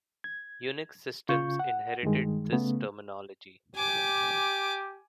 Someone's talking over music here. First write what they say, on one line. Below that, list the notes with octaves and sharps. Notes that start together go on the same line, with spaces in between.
Unix systems inherited this terminology.
G#6
C#3 F4 C#6 G6
F#5
G2 D#3 G#3
C#3 A3 B3
G4 G#5 D6